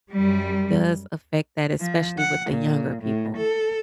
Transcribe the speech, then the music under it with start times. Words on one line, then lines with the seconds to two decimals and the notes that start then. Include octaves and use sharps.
does affect that, especially with the younger people.
0.11 F#2 G3
1.81 F3
2.18 F#5
2.51 A#2
3.02 A2
3.37 A4